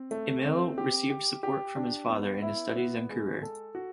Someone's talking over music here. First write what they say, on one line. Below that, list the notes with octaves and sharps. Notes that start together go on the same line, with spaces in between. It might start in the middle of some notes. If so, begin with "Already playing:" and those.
Emil received support from his father in his studies and career.
Already playing: C4
A3
C4
G4
G4
G4
D4
B3
E4
B3
G#3
A4
F#4